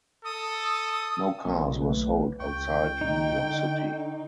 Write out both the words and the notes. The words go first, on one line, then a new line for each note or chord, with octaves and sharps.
No cars were sold outside New York City.
A4 D#6
B1 A#3
G#1 A3 B4
C#2 G5 C#6
D#4
D3